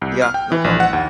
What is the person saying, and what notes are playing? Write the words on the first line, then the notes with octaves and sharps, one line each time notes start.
Ya! No problem.
C2
F6
G5
E3
A#1
F#5
D#2